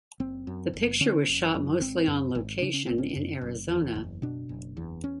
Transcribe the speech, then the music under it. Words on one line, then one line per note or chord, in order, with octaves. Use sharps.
The picture was shot mostly on location in Arizona.
F#1 C4
F#2
F#1
D3 C#4
F#1
F#2
G#1 C4
F#2
G#1
C#3 D4
C#4
G#1 C4
C#4
F#2
F#1
E2
F#1
B2 D4
F#1
E2
C#4